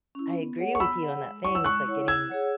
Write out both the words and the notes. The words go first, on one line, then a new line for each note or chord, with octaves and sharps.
I agree with you on that thing, it's like getting,
C#4 E4
B3
G#4 C#5 F#5
C#6
B3 B5 E6
G#4 C#5 F#5
G#3
E4 C#5 F#5 C#6
E6
G#3 C#6 F#6
E4 C#5 F#5
E4 E6 G#6
G#4 C#5 F#5